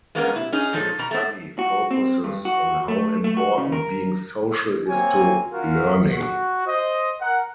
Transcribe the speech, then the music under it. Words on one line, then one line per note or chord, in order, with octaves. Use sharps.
Hung's study focuses on how important being social is to learning.
G#3 A#3 B3 C#4 E4 A#4
E4
C#4 D#4 G#4
A#2 F3 G#3 D#4 A4 C#5
B2 A#5
A3 B3
F#4
C4
G2
F#4
A3
A3
F#4
C#3
A#4
A#3 C4 C#5 G#5
C#4 F4 F#4 A#4
F#4
C5 D#5
A#4 F#5